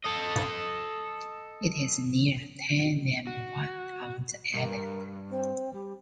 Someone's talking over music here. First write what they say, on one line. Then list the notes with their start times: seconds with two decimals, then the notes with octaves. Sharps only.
It is near Tai Nam Wan on the island.
0.05 A4 D#5
3.27 F#4
4.54 G2 A#4
5.29 C4
5.72 G3